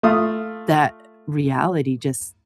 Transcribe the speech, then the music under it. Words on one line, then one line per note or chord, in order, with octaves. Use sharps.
that reality just
A3 F4 D#6